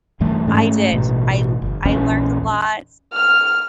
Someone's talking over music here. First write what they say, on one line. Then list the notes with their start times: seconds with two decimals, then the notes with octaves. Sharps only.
I did, I l I learned a lot,
0.20 C2 G2 E3 A3
0.47 G#2 A3 C#4
0.91 A1 B2
1.62 G1
1.85 A#1 E2 C#4
3.13 F6